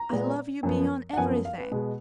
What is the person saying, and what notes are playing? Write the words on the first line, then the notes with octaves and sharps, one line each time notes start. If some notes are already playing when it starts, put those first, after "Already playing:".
I love you beyond everything....
Already playing: A#5
A#2 G#3 B3
F#2 F3 B3
F#5
F#2 F3 B3 G#5
F5
B4
B2 G#3 B3